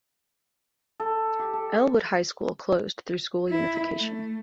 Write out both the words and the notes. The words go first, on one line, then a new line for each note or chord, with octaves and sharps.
Elwood High School closed through school unification.
A4
G4
A4
E4
A3